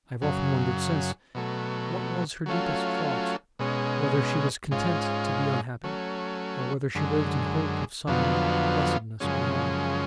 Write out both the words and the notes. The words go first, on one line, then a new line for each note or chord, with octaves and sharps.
I have often wondered since, what was her deepest thought--whether she was content to be unhappy, or whether she lived in hope of some blessedness beyond.
F#2 C#3 F#3
B2 F#3 A3
F#3 A3 C#4 F4
B2 G#3 C#4
G#2 G#3 C#4 F4
F#3 A3 C#4
F#2 D3 G#3
F2 D3 F#3 B3 F4
F#2 C#3 F3 G#3 C#4